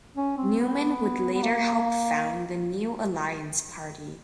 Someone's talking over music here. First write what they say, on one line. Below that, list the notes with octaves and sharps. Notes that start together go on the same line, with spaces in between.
Newman would later help found the New Alliance Party.
C#4
C4
B3
B3
A#3